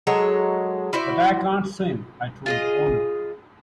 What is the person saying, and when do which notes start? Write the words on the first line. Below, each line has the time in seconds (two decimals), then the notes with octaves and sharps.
'But I can't swim,' I told the owner.
0.07 F#3 G#3 A4 C#5
0.93 E4 F#4 C5 D5
2.46 F4 G#4 D#5